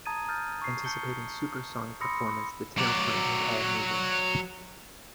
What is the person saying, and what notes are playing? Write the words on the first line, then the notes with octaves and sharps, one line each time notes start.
Anticipating supersonic performance, the tailplane was all-moving.
A5 A#5 D#6 G#6 A6 D#7
D#6 F6 G6 A6
C#6 C7
A5 G6 C7 C#7 G7
B5 C6 D#6 E6 A#6 C#7
F#3 D5